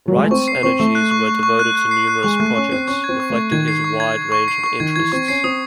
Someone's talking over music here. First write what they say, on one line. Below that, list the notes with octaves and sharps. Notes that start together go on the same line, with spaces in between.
Wright's energies were devoted to numerous projects, reflecting his wide range of interests.
F#3
G#3
A3
C4 C#6
C7
C4 C#6
A3 C#6
F#6
C#6
C#6
C#6
F#6
F#6
C7
F#6
G#3 C#6
A3 F#6
C#4 C#6
C4 C7
C#4 C#6
C4 G#6
C#6
A3
C#6
D#3 G#6
C7
C#6
G#6
G#6
C#6
C7
C#6
D#3 G#6
E3 G#6
C4 C#6
C#4 C7
C4 D#6